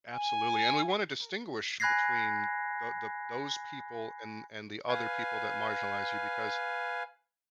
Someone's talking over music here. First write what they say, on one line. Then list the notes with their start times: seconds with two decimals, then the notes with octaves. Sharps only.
Absolutely, and we want to distinguish between the the those people and and the other people that marginalize you because
0.11 G#5
1.80 G#5 B5 F#6 G#6 A#6 C7
4.89 B4 F5 G#5